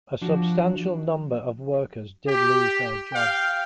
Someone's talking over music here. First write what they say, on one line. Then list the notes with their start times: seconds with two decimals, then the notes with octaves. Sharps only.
A substantial number of workers did lose their jobs.
0.21 F3 D4 F#4
2.28 G4
3.12 F5 G5